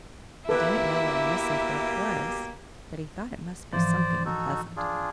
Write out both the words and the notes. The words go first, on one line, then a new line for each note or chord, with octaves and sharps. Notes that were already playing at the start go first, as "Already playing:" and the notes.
He didn't know what a misanthrope was, but he thought it must be something unpleasant.
B2 A#3 E4 G4 A4 B4 E5
G#2 E3 F3 C5 D5
D#4 F#4 A4
D4 F4 G#4